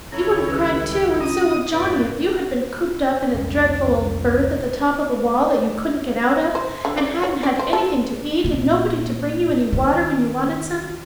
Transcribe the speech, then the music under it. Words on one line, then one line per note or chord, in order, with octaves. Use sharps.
You would have cried too, and so would Johnnie, if you had been cooped up in a dreadful old berth at the top of the wall that you couldn't get out of, and hadn't had anything to eat, and nobody to bring you any water when you wanted some.
C#2 D#3 G3 C4 E4 A4 C#5 A#5
C#4 G4 B4
C#4 F4 D#6
F1 G#2 G3 B4 D5 F5
F1 C2 C#4
C5
D3
D5
C#5
D5
C5
A4
A#2
D#3